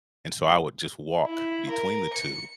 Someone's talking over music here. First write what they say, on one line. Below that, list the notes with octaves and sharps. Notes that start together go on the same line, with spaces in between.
and so I would just walk between the two,
E4
A#4
C#7